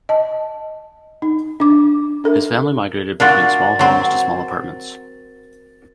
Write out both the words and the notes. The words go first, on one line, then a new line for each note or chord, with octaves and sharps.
His family migrated between small homes to small apartments.
D#5 A5
D#4
D4 D6
D4 A4 A#4 E5
D4 F4 F#4 A#4 A6
F#3 C4